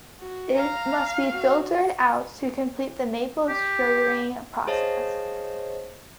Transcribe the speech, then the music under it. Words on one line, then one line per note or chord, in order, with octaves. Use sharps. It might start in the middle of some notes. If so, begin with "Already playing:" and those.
It must be filtered out to complete the maple sugaring process.
F#4
F5 A#5
F#4
G4
G#4 C5 C#5 D#5 F5 A5